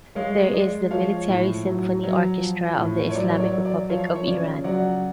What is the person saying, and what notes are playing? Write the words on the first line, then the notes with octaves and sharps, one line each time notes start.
There is the Military Symphony Orchestra of the Islamic Republic of Iran.
G#3 C#5 F5
G#3 D5
F3 C#5 F5
A2
F#3
F#3
F3
A2
C#5
F#3 D5
C#5
D5
F#3
D5
F3 C#5 F5
C#5
C#3 D5
F#3 D5 F#5